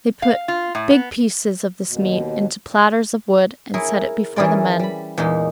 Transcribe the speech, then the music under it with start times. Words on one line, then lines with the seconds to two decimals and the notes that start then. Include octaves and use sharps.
They put big pieces of this meat into platters of wood and set it before the men.
0.22 F5
0.48 F4
0.75 A2
0.91 B3
1.87 D#2 B2
3.74 E4 G#4 A#4 C#5
4.36 E3 C#4 G#4 A#4 D5
4.79 G3 B5
5.18 E2 A#2 G#3 D#4